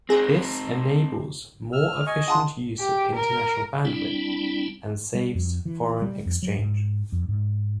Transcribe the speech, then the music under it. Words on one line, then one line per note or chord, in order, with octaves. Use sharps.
This enables more efficient use of international bandwidth and saves foreign exchange.
C4 D#4 G#4 F#6 A#6
E6 F6
D#5 G#5 C#6
D4 F4 G#4 F#5 A5 C6
G4
A#4
G3 C4 D4 E4
G3
F2
E3
G3
F2
F#3
G#2
F2
G#2